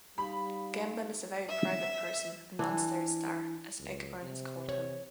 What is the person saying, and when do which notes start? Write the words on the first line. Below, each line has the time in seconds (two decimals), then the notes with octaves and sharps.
Gambon is a very private person, a "non-starry star" as Ayckbourn has called him.
0.18 G3 D#4 F5 B5
1.48 E5
2.59 E3 D4
3.80 C#2
4.19 C3
4.69 C#5